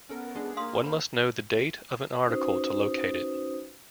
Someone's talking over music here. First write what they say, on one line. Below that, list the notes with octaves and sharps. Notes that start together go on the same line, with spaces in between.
One must know the date of an article to locate it.
B3 C#4 A4 A#4
G#3 D4 G#4
A#3 F5 C6 D#6
C#4 C5 B5
C#4 D#4 F#4 B4 C5 D#6